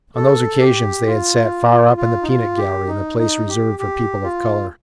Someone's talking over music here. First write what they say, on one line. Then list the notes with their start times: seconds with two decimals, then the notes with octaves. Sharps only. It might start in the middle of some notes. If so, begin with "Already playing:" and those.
On those occasions they had sat far up in the peanut gallery in the place reserved for people of colour.
0.16 A4
0.60 G4
1.07 F4
1.97 F4
2.23 D#4
2.27 F4
2.58 G4
2.88 D#4
3.18 D#4
3.49 G4
3.79 G4
4.24 F4